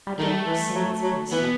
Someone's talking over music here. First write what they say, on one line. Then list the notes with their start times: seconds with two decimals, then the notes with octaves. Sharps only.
I dare say it's best.
0.19 D#3 A3
0.46 E3
0.75 F#3
1.03 F#3
1.31 E3 B3
1.42 B2